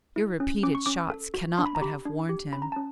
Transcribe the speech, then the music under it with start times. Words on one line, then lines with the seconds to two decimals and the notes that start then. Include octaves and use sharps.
Your repeated shots cannot but have warned him.
0.16 E4
0.40 C#4
0.63 C#4 D6
0.75 C#6
0.86 C#4 D6
1.10 A4
1.34 F#4
1.58 D4 C6
1.66 B5
1.75 A#5
1.81 G4 B5
2.05 D4
2.29 G4
2.53 C#4 B5
2.62 A#5
2.72 C#4 A5